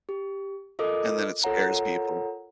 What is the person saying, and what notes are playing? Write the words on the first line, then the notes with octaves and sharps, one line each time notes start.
And then it scares people.
G4
F4 A4 A#4 D#5 D6 D#6
F4 A4 A#4 C#5 F#5 A#5